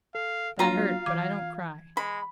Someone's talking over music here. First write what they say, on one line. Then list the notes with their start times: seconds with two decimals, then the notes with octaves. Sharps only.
"That hurt, but I don't cry."
0.15 A4 F5
0.59 F#3 A#3 D4 F4 F#4 F5 A#5
1.06 E3 D6 G#6
1.97 G#3 B5